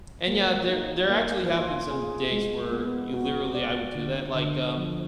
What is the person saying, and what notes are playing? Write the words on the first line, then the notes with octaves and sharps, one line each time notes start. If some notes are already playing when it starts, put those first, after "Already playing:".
and yeah, there there actually happened some days where y literally I would do that. Like, um,
A#3
D#4
A#3
F4
G#4
G#3
B3
F#4
D5
D3
D3
F3